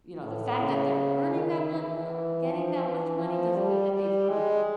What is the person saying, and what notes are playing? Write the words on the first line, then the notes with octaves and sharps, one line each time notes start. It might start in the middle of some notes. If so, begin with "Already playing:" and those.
you know, the fact that they're earning that mon uh, getting that much money doesn't mean that they've earned it.
A2
C#3
D#3
E3
F3
E3
F3
G3
G3
G#3